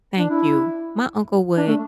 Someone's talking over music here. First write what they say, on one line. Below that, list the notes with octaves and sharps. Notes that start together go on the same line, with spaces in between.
Thank you. My uncle would
D4
E4
D4
A3